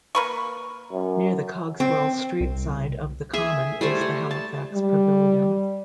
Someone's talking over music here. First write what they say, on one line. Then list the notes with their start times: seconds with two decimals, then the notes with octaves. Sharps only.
Near the Cogswell street side of the Common is The Halifax Pavilion.
0.15 A#3 B4 C#6
0.92 F#2
1.80 C4
2.41 C2
3.34 G#4 E5
3.81 G3 A3 C5 C#5
4.01 G3
4.31 A5
4.73 G3